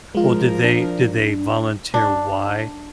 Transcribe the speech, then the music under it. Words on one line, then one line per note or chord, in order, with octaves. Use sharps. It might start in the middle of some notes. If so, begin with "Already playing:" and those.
Well, did they did they volunteer why
F3 G#3 F4 A#4
D4
D4